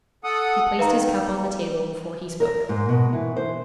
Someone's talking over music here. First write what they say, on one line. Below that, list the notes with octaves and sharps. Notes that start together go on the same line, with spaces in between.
He placed his cup on the table before he spoke.
A4 F#5 D#6
D#3 B4 F5 A#5
A#4
G#2
B2
E3
C5